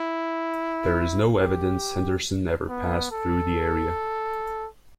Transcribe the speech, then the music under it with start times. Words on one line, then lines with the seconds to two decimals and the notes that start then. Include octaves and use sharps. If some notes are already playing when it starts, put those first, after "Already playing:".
There is no evidence Henderson ever passed through the area.
Already playing: E4
1.39 G4
2.69 B3
3.11 A4